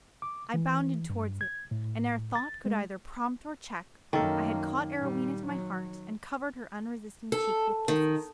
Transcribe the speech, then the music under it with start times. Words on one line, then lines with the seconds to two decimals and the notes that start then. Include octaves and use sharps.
I bounded towards it, and ere thought could either prompt or check, I had caught Arowhena to my heart and covered her unresisting cheek with kisses.
0.22 D6
0.54 E3
1.10 G2
1.41 G#6
1.71 A2
2.35 A6
2.65 G#3
4.13 F#2 D#3 A#3 A4
4.97 A#2 G3
5.47 F#3
7.32 A4
7.88 D#3